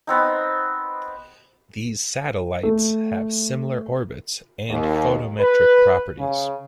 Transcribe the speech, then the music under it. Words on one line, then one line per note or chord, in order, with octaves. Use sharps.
These satellites have similar orbits and photometric properties.
B3 C4 D#4
A3
D#2
B4
C#3